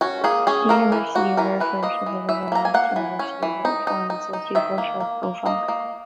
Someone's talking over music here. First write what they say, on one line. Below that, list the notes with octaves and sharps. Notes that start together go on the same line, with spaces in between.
The University of Erfurt is a liberal arts university with reform and socio-cultural profile.
C#4 F#4
A#3 G#4
C#4 G#4
A#3 A#4
E3
A#3 F#4
E3 A#4
E3 B4
A#3 D#5
E3
E3 E5
A#3 A#5
G#5
A#3 F#5
E3
C#4
E3
D#4
D#4
D#4
D#4
D#3 E5
A#3
A#3
A#3
A#3 D#5
A#3